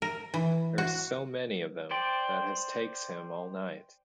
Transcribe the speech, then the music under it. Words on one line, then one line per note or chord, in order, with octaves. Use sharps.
There are so many of them that his takes him all night.
A#4
E3
F#4
C5 D5 G5